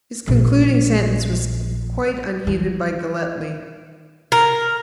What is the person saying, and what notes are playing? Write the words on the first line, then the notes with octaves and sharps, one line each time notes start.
His concluding sentence was quite unheeded by Galletly.
A#1
E3
A#4